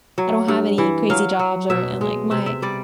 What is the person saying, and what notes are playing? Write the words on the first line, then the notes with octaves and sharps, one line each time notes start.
I don't have any crazy jobs or and, like, my
F#3
G2
E3
F#3 F5
F#3
B2 E5
G#3
C3 E5
E5
G3 D5